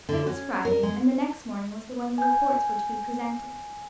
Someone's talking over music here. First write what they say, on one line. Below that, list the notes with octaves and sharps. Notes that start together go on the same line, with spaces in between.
It was Friday, and the next morning was the when the reports were to be presented.
D3
C#4
A#4
G#3
G#5 G6